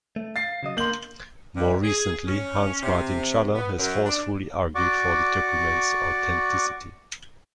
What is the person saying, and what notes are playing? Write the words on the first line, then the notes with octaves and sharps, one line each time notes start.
More recently, Hans Martin Schaller has forcefully argued for the document's authenticity.
A3
F5 A6 C7
C#3 F#3 D#5
D3 A#3 C6 G6 F#7
G2
G#4
C#4
C3
B3
F#2
D4
F#4 D5 F#5 C#6 D6